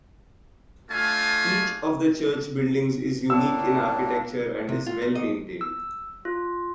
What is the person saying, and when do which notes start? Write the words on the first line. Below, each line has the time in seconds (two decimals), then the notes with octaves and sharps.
Each of the Church buildings is unique in architecture and is well maintained.
0.90 A3 D4 F4 F5 G#5
3.30 A2 A#3 D4 E6
4.69 C3
4.86 F4
5.02 A#2
5.15 D#5
5.61 E6
6.25 F4